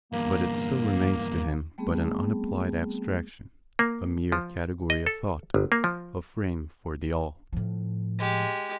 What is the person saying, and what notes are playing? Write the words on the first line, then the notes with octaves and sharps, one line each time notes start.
But it still remains to him but an unapplied abstraction, a mere category of thought, a frame for the All.
E2 G2 A#3
G3 A3 B3 C4 G#4
A#3
F3
D#5
A4
G1
A#3
F3
A2 F3
G#3 G4